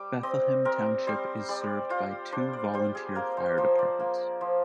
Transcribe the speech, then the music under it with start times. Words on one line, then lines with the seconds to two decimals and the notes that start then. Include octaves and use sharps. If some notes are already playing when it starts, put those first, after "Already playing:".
Bethlehem Township is served by two volunteer fire departments.
Already playing: G3 D6
0.23 C4 D#5
0.65 C4 A#4
1.07 G3 C5
1.49 G3 D5
1.90 F4 C5
2.32 D4 C5
2.53 D5
2.74 G3 C5
2.95 G#4
3.16 A#3 A#4
3.37 C5
3.57 F3 C5
3.79 D5
4.00 A#3
4.41 F3